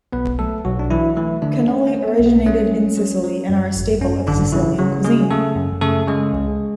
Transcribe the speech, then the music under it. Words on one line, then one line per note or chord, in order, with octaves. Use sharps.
Cannoli originated in Sicily and are a staple of Sicilian cuisine.
B1 B3 B4
F#3 A3 A4
B1 F#3 F#4
D4
E3 F#3 E4
E3 A3 E4
D3 A3 D4
A3 C#4
C#4
A3
B3
B1
B3
A3 C#4
F#3
F#3
F#3
F#2
G#1
F#2 C#4
G#1 D3 D4
C#3 E3 E4
C#3 F#3 F#4
C#3 G#3 G#4
C#3 A3 A4
F#2
C#3 A3 A4
C#3 G#3 G#4
C#2